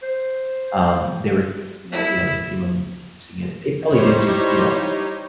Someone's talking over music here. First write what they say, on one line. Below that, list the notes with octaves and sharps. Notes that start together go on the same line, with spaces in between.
that, um, they were taking the, you know the FEMA money and using it they probably did just, you know
C5
E4
G3 D#4 E4 G4 C5 C#5